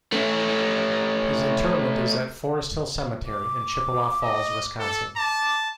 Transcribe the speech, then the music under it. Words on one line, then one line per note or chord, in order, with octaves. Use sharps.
His interment is at Forest Hill Cemetery in Chippewa Falls, Wisconsin.
A3 C#4
D6
D#5
A4
A5 D6